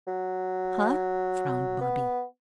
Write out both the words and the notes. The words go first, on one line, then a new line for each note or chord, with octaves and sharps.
"Huh?" frowned Bobby.
F#3
B3